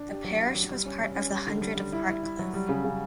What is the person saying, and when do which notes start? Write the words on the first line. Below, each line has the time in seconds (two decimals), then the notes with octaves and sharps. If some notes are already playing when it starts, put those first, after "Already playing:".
The parish was part of the hundred of Hartcliffe.
Already playing: D4
0.09 G4
0.24 F#3
0.39 G4
0.54 F#3
0.70 G3
0.86 C#4
1.01 G3
1.15 C#4
1.31 G3
1.47 D3
1.61 G3
1.77 G3
1.93 E4
2.07 E4
2.23 E4
2.39 F#3
2.54 G3
2.69 C#3
2.84 C#3